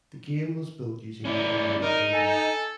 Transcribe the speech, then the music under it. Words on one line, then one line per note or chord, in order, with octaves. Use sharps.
The game was built using the Unreal Engine.
C#4 E4 D5
D#4 A#4
A4 G#5